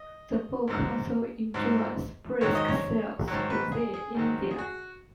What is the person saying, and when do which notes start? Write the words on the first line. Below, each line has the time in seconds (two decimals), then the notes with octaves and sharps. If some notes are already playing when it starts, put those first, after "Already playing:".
The book also enjoys brisk sales within India.
Already playing: D#5
0.68 G#2 F#3
1.54 G#2 F#3
2.41 G#2 D#3 F#3 C#5
2.55 D#5
2.68 C#5
3.28 G#2 D#3 F#3 C#5
3.50 B4
3.72 G#4
3.94 G#4
4.15 G#2 D#3 F#3
4.51 G#4
4.58 F#4